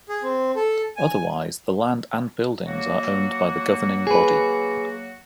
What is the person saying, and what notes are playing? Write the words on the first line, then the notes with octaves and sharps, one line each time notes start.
Otherwise the land and buildings are owned by the governing body.
G#4
C4
A4
G#5
F#3 A#3 F#4
G#4 B4